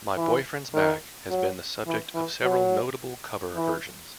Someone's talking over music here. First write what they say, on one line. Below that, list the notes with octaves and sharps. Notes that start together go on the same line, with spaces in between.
"My Boyfriend's Back" has been the subject of several notable cover versions.
E3
D#3
F#3
E3
E3
F#3
E3